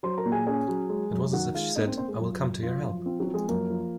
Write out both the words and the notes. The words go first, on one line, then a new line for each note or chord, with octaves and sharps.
It was as if she said, "I will come to your help."
F#3 C5 C6
A#4 A#5
A#2
G#4 G#5
C#4 G#4 G#5
F#3
G#3
F#2
D#3 F#4 F#5
G#3 F4 F5
A#3 D#4 D#5
C4 C5
A#3 C4 C5
G#3 G#4
F#2 F4
F#2
F#2 F4
F3
C4 F4
F#3 F#4
F3
G#3 G#4
F#2 A#3 A#4
F3